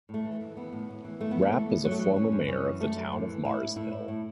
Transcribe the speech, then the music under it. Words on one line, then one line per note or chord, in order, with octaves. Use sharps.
Rapp is a former Mayor of the town of Mars Hill.
A2
A3
E3
E3
E3 B3
A2
A2
E3
A2 A3
B3
E3
A3
E3 A3
A2
F#2 F#3
A3
E3 F#3
F#2 C#4
F#2
F#2 C#4
E3
F#2 A3
F#2
A2
E3
A2 E4
A2
A2 E4
A2
A2